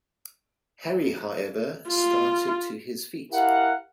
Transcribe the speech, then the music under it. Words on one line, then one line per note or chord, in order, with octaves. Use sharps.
Harry, however, started to his feet.
F4
E4 G4 A#4 F5 F#5